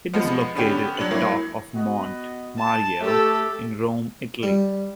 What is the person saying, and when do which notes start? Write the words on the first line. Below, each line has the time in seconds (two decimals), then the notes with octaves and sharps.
It is located atop of Monte Mario in Rome, Italy.
0.14 F3 G#3 B3
0.55 D3 B3 C#4 G4
0.97 F#3 D4 F#7
1.10 A2 E3 F#3 A#3
1.75 B3 F#4 D#5
2.57 A5
3.01 A3 G4 A4
4.43 G3